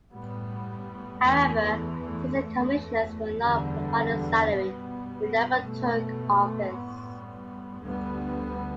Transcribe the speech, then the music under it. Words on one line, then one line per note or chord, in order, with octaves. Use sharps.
However, since the commissioners were not provided a salary, they never took office.
A2 G3 B3
E2 E3 A3
E2 E3 A3
E2 D3 G3
B2 G3 B3
B2 A3
A2 G3 B3
D2 D3 G3 B3